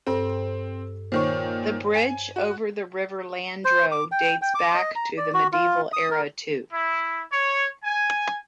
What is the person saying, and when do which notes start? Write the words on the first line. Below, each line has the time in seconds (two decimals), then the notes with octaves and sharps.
The bridge over the river Landro dates back to the medieval era too.
0.07 G2 C4 A4
1.12 A#2 D#3 C5 C#5 C#6
1.95 G#5
2.36 F#4
3.65 C5
3.92 D6
4.12 G5
4.42 G5
4.55 D6
4.75 D#5
4.96 A#5
5.17 D5
5.34 F#4
5.53 F4
5.93 D#6
6.11 A#4
6.73 E4
7.32 C#5
7.84 G#5